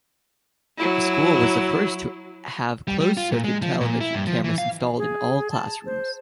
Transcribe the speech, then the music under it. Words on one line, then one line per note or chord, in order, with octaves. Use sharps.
The school was the first to have closed-circuit television cameras installed in all classrooms.
F#3 E4
G3
G3
F4
A#2
G#3
F3
A#2
E4
G2
F3
E3
F5
G#4
A5
C5